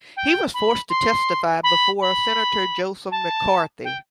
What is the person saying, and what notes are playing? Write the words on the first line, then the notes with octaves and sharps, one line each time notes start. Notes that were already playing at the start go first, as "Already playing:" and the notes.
He was forced to testify before Senator Joseph McCarthy.
G5
B5
C6
B5
B5
A5
G5